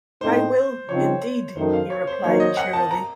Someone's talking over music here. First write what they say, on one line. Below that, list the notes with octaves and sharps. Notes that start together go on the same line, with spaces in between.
"I will, indeed," he replied cheerily.
A2 A3 C4 D#4 C5
C#3 F3 C4 D#4 C#5
F#2 D#3 A3 C5
F5
C#5
C5
D#3 F#3 A#3 D#4 C#5
D#5
F#5
A5
A#5